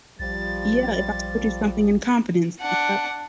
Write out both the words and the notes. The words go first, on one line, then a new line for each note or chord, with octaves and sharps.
Yeah, if I told you something in confidence, yep.
A#1 F3 G3 A6
D4 F#5